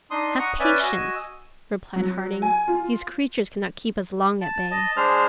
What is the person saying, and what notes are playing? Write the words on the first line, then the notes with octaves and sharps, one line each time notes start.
"Have patience," replied Harding; "these creatures cannot keep us long at bay."
D4 D#4 C6 D#6
F#5 A#5 C#6 D#6
C#4 B4 D5 E5 G#5
F#4 D#5 G#5 E6
F#3
G#5
F4
A5
D#5 A5
G#3 D4 C5 F6